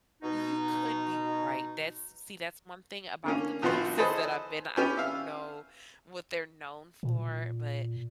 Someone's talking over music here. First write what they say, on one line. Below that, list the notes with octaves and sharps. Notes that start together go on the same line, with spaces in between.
You could be right, that's see, that's one thing about the places that I've been, I don't know what they're known for, but,
B2 D#4
D3 A#3 C#4
A#1 F3 B3 F#4 C6
G#4 A4 B4 C5 D#5
B3 C#4 G4
E5 F5
A#2